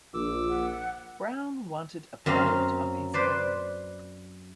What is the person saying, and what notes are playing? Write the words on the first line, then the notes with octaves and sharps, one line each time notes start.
Brown wanted a product of his own.
A#1 D6 E6
F#5
F#2 A#3 C4 C#4 F5
B4 C5 D5